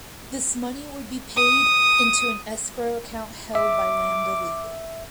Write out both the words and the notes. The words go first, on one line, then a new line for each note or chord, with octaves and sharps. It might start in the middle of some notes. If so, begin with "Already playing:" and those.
This money would be paid into an escrow account held by Lambda Legal.
D#6
E5 D6